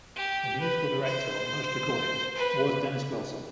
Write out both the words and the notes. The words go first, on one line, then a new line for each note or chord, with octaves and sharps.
The musical director on most recordings was Dennis Wilson.
G4
B4
C5
B4